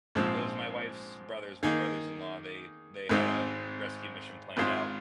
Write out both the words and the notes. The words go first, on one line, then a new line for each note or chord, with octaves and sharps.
it was my wife's brothers my brothers-in-law, they they had, uh, rescue mission planned out
A#1 G#2 F3 G#3 C4
D#3 A#3 D#4 G#4
G#1 G#2 G#3 C4 D#4
G#1 G#2 G#3 F4 C5